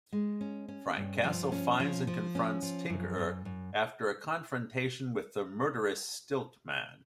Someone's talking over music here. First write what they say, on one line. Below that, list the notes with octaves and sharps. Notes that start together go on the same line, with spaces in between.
Frank Castle finds and confronts Tinkerer after a confrontation with the murderous Stilt-Man.
G#3
C#4
C#4
G2
F3
C#4
F3
F3
C#4
F3
F#2
F#2
F#2